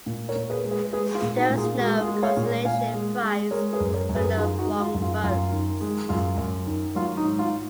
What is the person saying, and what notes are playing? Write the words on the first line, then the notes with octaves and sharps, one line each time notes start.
There was no consolation prize for no wrong votes.
A#2
A#4 C#5
A#2
G#4 B4
G#3
G#4 B4
G#3 G#4 B4
F4 G#4
A#2
D#4 F#4
A#2
F4 G#4
G#3 F#4 A#4
F4 G#4
G#3
C#5 F5
A#2
A#2 F5 G#5
G#3
G#3
G#3 A#4 C#5
G#4 B4
F#2
A#4 C#5
F#2
G#4 B4
D#3 F4 G#4
D#4 F#4
G#3
F4
F#2
F4
F#2 F4
D#3
G#3
F#2 F4
F#2
D#3
F#3 F4
D#4
G#2
F4